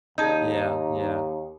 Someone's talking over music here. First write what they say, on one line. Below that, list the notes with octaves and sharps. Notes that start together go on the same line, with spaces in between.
Yeah, yeah.
D#2 D#4 G#4 A5 G6